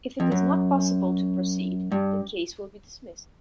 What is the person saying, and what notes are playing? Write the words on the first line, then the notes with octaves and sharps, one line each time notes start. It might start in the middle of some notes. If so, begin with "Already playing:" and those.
If it is not possible to proceed, the case will be dismissed.
F2
F#2
G2